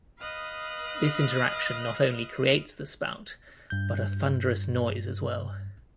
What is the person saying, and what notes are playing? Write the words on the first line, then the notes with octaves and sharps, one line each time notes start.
This interaction not only creates the spout, but a thunderous noise as well.
B4 D#5 F5 D#6 F#6
G2 G6